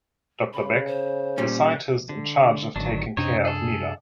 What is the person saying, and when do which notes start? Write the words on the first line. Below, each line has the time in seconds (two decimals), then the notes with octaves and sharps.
Doctor Beck: The scientist in charge of taking care of Mila.
0.53 C#3 B5
0.87 C5
1.38 A#2 G3 C#4
2.09 D3
2.76 G#1 D3 D#3 F#3 D4
3.17 F#2 C3 C4 D4 D#4 C#5
3.45 G#4 A4